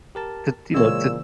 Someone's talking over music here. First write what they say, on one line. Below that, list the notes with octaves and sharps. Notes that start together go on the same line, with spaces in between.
to, you know, to
G4 A#4 A5
A#2 C#3 E3 G#3 C5 C#5 E6